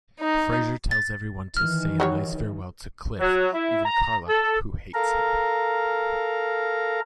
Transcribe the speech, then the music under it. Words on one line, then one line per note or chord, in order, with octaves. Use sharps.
Frasier tells everyone to say a nice farewell to Cliff-even Carla, who hates him.
D#4
A6
D#3 E3 F6
F#3 G3 C#5
F#3
E4
A#5
A4
A4 A#4 F5 A#5